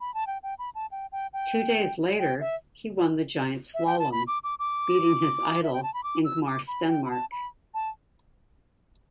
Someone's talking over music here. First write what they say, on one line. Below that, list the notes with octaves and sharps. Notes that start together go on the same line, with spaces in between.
Two days later he won the giant slalom, beating his idol, Ingemar Stenmark.
B5
A5
G5
G5
B5
A5
G5
G5
G5
G5
E5
E5
G5
A5
B5
D6
D6
D6
E5
G5
A5
B5
D6
E6
D6
B5
G5
B5
A5
B5
A5